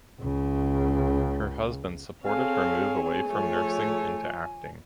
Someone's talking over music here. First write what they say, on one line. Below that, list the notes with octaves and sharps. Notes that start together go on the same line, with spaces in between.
Her husband supported her move away from nursing into acting.
C#2 C#3
C4 G#4 A4 C#5 F5 G#5
F3 A3 C#5